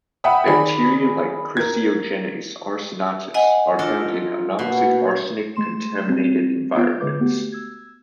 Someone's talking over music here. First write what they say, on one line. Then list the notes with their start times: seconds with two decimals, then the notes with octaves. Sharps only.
Bacteria like "Chrysiogenes arsenatis" are found in anoxic arsenic-contaminated environments.
0.24 E5 F#5 G5 B5 D#6
0.46 D#3 G#4 D5 B5
1.57 A#4 G#6
3.34 D#5 F#5 G#5
3.79 D4 F4 A4 A#4
4.59 B2 A#3 F#4
5.56 G#3 A3 C6 E7
6.08 G3 C4
6.76 B3 F4 C#5 D7
7.00 D3 G#3 B4 D6 G6
7.20 A3 B3 F#4 G4
7.52 E6 G#6